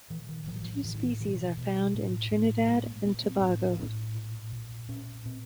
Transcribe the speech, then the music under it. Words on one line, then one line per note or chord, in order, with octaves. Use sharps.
Two species are found in Trinidad and Tobago.
A#2 E3
D#3
A2 F3
F#3
F3
A2 E3
D#3
E3
B2 E3
B2
A2
A2
A#2 G#3
A#3
A#2 B3
C4
A2
A2
A#2
A#2
A#2 C#4
A#2 C4